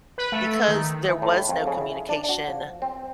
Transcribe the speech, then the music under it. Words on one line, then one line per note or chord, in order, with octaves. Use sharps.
because there was no communication
B4
A3
D#3
E3
A2
F2
C#3
E4
D4
F#4
F3
C4